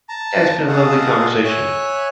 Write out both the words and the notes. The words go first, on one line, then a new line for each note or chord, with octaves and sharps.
yeah, it's been a lovely conversation.
A5 A#5
G#4 A4 D#5 F5 F#5
C#5 E5 G#5 F#6